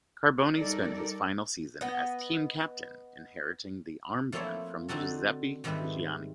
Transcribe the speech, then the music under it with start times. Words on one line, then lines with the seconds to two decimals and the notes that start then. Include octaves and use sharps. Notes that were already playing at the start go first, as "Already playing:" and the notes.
Carboni spent his final season as team captain, inheriting the armband from Giuseppe Giannini.
0.54 G3 D#4 A4 A#4 D5
1.81 B3 D#5
4.32 F3 A3 A#3 C4 E4 C#5
4.89 D3 C4 D#4 F#4 A4
5.64 G#2 D#3 G3 A3 C4 B4